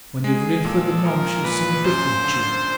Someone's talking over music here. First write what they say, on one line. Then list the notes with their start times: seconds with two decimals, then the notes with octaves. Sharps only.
When you've lived with the monks you'll sing a different tune.
0.24 G#3 G#4
0.65 A#2 A4
1.04 F3 A#4
1.44 A#2 B4
1.84 F#2 C5
2.24 D3